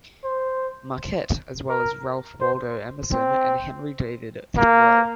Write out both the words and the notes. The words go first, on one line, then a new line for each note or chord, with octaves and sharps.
Marquette, as well as Ralph Waldo Emerson and Henry David Thoreau.
C5
A#4
C5
C4
A#3